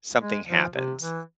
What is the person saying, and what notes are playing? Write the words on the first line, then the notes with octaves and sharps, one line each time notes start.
something happens,
G#3
F3
C3
E3